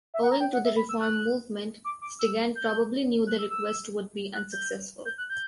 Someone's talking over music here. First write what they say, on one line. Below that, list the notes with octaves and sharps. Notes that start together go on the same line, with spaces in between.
Owing to the reform movement, Stigand probably knew the request would be unsuccessful.
E5
F#5
A#5
G5
F#5
E5
B5
E6
F#6
D6
D6
E6
G6
F#6
E6
E6
F#6
G6
G6
F#6
G6